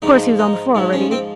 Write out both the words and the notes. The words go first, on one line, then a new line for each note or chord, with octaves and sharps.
Of course he was on the floor already.
G#2 F3 D#4
D#4
G#2 F3
C#4
C4